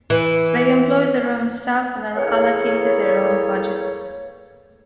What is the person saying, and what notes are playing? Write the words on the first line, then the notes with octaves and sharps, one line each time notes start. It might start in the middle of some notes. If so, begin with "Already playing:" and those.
They employ their own staff and are allocated their own budgets.
E3
E3 A#3 E4 G#4 A4 C#5